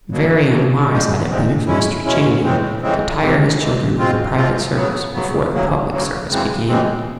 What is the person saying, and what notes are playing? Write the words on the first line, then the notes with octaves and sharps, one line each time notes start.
Very unwise had it been of Mr. Channing, to tire his children with a private service before the public service began.
B2 F#3 A#3
B2 F#3 A#3
A#2 F3 G#3 C4
A#2 F3 G#3 C4
E2 B2 G#3 C#4 E4
E2 B2 G#3 C#4 E4
F2 C#3 E3 G#3 C4
F2 C#3 E3 G#3 C4
F2 C3 E3 G#3
F2 C3 E3 G#3
B2 G#3 C4 F4
B2 G#3 C4 F4
C#3 F#3 B3
C#3 F#3 B3
D2 C#3 F#3 A#3
D2 C#3 F#3 A#3
F#2 C#3 E3 G#3 C4
F#2 C#3 E3 G#3 C4